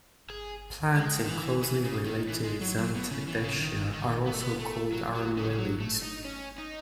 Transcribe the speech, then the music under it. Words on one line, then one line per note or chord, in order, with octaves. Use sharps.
Plants in closely related "Zantedeschia" are also called "arum lilies".
G#4
G#3
D#3
E3
E3
C#3
D#3
E3
G#3
F#3
F#3
B2
C#3
E3
B2
C#3
D#3
D#3
B3
A3
B3
A3
F#3
F#3
C#3
D#3
C#3
F#3
A3
D#4
C#4
D#4